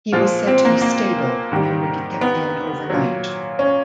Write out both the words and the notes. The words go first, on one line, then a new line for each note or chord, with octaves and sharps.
He was said to be 'stable' and would be kept in overnight.
A#2 F3 G#3 F4
C4
A#3
A#3
G#2 D#3 G3
B3
A#2 F#3
C#4